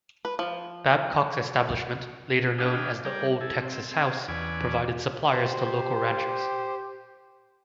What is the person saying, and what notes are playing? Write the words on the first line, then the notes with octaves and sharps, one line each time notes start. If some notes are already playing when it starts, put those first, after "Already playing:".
Babcock's establishment, later known as the Old Texas House, provided supplies to local ranchers.
B4
F3
D4 G#4 D#5 F5 G5 B5
G3 G#4 A#4 D5 G5
E4 G#4 A4
C4
C4 G#4
E2 C#4 B4 D5 G#5
G4 C5